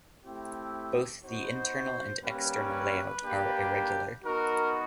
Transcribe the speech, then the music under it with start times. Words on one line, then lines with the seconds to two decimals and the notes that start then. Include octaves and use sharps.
Both the internal and external layout are irregular.
0.24 A3 C4 E4 G4
1.23 B3 D#4 F#4 C5
2.23 G3 A#3 C#4 B4
3.24 A#3 D4 G4
4.24 B3 D#4 F#4 A#4